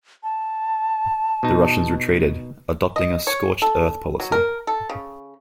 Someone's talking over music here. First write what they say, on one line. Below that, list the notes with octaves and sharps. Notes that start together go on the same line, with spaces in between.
The Russians retreated, adopting a scorched-earth policy.
A5
B2 D#4
D#5
C#5
A4
F#3
A#4
A4
C#3